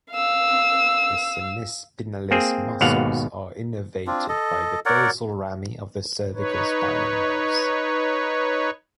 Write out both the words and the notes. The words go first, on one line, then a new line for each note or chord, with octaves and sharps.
The semispinalis muscles are innervated by the dorsal rami of the cervical spinal nerves.
F5 E6
A#3 C4 G#4
G#1 D#2 B2 F5 F#5
C4 D4 F4
A4 D#5
A#4 C#5 D5 F#5
D#4 B4 C#5